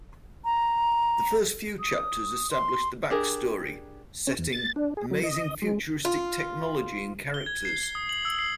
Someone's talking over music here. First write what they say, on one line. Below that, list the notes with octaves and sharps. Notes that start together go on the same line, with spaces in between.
The first few chapters establish the backstory, setting, amazing futuristic technology and characters.
A#5
D#6
C6
D4 G4 G#4 A#4
C#4
E2
A6
D4
G#4
F#3
D#5
G#3
F4
G7
G#6
C7
G7
D#6
F#7
E6
C7